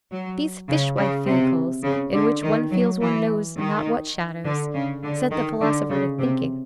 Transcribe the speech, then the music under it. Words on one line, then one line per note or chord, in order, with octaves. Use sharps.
These fishwife vehicles, in which one feels one knows not what shadows, set the philosopher to thinking.
F#3
C#3
C#3
C3
C#3
D3
D#3
F#3
E3
D#3
D3
C#3
D3
D#3
D3
C#3
C3